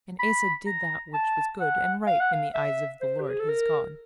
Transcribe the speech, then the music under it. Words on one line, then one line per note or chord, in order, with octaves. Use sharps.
And Asa did that which was good and right in the eyes of the Lord his God.
B5
A#5
A5
F#5
F5
F#5
F5
E5
C5
G4
G#4
A4
A#4